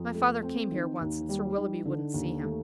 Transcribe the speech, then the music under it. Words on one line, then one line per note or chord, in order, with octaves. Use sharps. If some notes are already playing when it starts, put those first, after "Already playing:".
My father came here once, and Sir Willoughby wouldn't see him.
Already playing: F2
A3
C4
D#3
D#2
G3
D#4
D3
D#2
A3